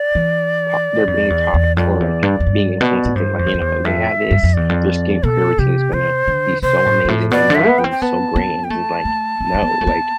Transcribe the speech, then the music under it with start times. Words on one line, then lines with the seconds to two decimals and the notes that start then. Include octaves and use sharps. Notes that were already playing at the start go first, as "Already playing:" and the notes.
ta they're being taught or, like, being influenced to think, like, know, "They have this, their skin care routine is gonna be so amazing, their morning's gonna be so great," and it is, like, no, like,
Already playing: D5
0.15 E3
1.02 G2
1.07 F2
1.30 E2
1.54 E2
1.77 F2 D5
2.00 E2
2.23 G2
2.40 F2
2.47 G2
2.81 B2
3.05 A2
3.16 G2 C5
3.39 F2
3.46 E2
3.54 F2
3.61 E2
3.85 F2 E5
4.31 G2
4.43 F2
4.54 E2 D5
4.69 F2
5.23 B2 A4
5.59 C3 G4
5.93 C3 C5
6.28 D3
6.62 C3 C5
6.86 A2
7.05 G2
7.08 A2
7.31 B2 D5
7.50 D3
7.55 E5
7.66 B3
7.79 G5
7.84 C4
7.91 G5
8.02 B3 A5
8.36 B3
8.64 G5
8.70 A3 A5
9.05 A3
9.41 C4
9.54 C4
9.63 B3
9.81 A3
9.87 B3